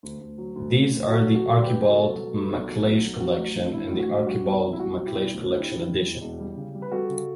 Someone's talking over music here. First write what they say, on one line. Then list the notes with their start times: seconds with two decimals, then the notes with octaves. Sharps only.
These are the Archibald MacLeish Collection and the Archibald MacLeish Collection Addition.
0.03 D2
0.20 D2
0.38 F#3
0.56 D2
0.73 D2
0.91 D2
1.08 F#3 F#4 A4
1.26 F#3
1.35 F#4 A4
1.44 C#2
1.62 C#2 G4 B4
1.79 C#2
1.88 F#4 A4
1.97 B2
2.14 F#3
2.32 F#3
2.50 B1
2.68 F#3
2.86 B1
3.03 F#3
3.15 G4
3.20 F#3 F#4
3.38 A1
3.56 G2
3.73 G2 E4
3.91 A1
4.00 F#4
4.09 G2
4.26 G3 F#4
4.45 B1
4.62 B1
4.73 E4
4.79 G3 F#4
4.97 B2 F#4
5.07 E4 G4
5.15 B1
5.33 D2
5.50 D3
5.59 E4 G4
5.68 D3
5.86 E1
6.03 E1
6.21 E1
6.39 G3
6.56 C#3
6.75 G3
6.82 B4
6.91 G3 F#4 A4
7.09 C#3